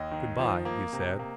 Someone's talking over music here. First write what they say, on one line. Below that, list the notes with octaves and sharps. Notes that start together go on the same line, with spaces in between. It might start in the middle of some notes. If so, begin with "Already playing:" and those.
"Good-bye," he said.
Already playing: D#2 D#5
D#3
F3
A#3
C3
A#3